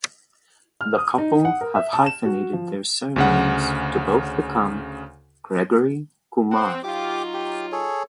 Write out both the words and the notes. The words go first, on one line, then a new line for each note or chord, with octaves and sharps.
The couple have hyphenated their surnames to both become Gregory-Kumar.
F6
D#6
D#4
F#5
A#4
E5
A5
E7
F#4
F3
D2 C#3 F#5
C4 F#5
F#3 D#4 F4 G4 D6
G4
G#4 A4 C#5